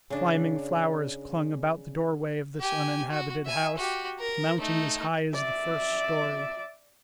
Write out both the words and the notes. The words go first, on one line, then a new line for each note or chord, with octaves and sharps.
Climbing flowers clung about the doorway of this uninhabited house, mounting as high as the first story.
C#3 D4
G4 G#5
F#4
E5 G#5
F#4 G4
A#4
A3 D#4
D5 E5